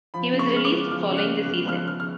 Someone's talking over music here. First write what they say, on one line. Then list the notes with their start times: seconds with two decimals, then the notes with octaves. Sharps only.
He was released following the season.
0.14 F3 B5
0.33 C#3
0.39 C#6
0.52 G#3 F6
0.65 D6
0.71 B3
0.91 F3 F6
1.10 C#3
1.17 F#6
1.30 G#3
1.42 F#6
1.49 B3
1.69 F3 F6
1.88 C#3 F6
2.00 F6